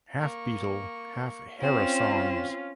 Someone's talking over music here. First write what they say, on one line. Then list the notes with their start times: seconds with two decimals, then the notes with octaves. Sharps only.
Half Beatle, half Harisongs.
0.19 A#3 C#6
1.60 C4 C#4 F4 E7